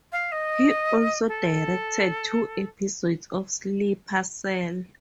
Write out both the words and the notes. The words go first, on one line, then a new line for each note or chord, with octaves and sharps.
He also directed two episodes of "Sleeper Cell".
F5
D#5
A4